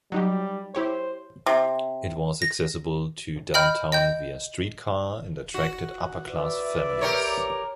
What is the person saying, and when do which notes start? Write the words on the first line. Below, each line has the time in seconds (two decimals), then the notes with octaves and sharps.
It was accessible to downtown via streetcar and attracted upper-class families.
0.12 F#3 G3 D#4 G4
0.75 E4 G4 C5 C#5
1.46 C3
2.42 A#6
3.54 D#5 G5 B5 F6 G6
3.92 D#5 G5 G6
5.54 F#4
6.28 B4 D5 E5
7.01 G4 A#4 C#5